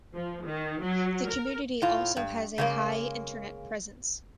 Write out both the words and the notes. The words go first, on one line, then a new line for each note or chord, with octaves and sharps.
The community also has a high Internet presence.
F3
D#3
F#3
A#4
A2 F4
G2
C#3 G#3 A#3